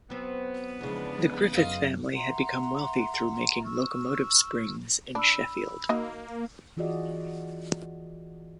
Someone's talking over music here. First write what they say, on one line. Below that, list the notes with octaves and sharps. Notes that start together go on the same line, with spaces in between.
The Griffith family had become wealthy through making locomotive springs in Sheffield.
F#3 B3 C4
E2 C#3 F3 G#3 D4
F#2 F4 D#5 F5
E5 F#5 A#5 C6
C#6 E6 F6
D4 B5 E6
D#3 A#3 F#4 D#5
E3 F4 F#4 G#4 D5 D#5